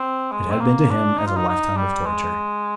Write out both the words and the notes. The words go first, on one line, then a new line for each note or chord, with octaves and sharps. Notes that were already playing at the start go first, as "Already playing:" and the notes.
It had been to him as a lifetime of torture.
Already playing: C4
G#3
C4
A#3
D4
D#4
F4
D#4
D#4
G3
G#3